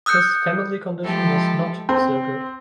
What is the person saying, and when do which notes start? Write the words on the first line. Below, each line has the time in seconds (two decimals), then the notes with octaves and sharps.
His family condition was not so good.
0.06 D#6 E6 F#6 G6 C#7
1.03 F3 G#3 E4 G4 A4
1.89 C4